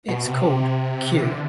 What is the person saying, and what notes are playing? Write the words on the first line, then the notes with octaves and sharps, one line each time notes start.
It is called "Kew".
B2
C3
E3
D3